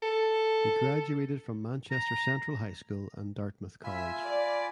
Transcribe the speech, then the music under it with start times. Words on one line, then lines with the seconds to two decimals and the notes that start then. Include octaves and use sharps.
He graduated from Manchester Central High School and Dartmouth College.
0.02 A4
1.91 A#5
3.84 F4 E5 G#5 B5
4.23 D5